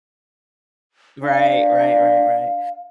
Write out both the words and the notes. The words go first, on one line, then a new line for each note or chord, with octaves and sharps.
Right, right, right, right.
D4 F5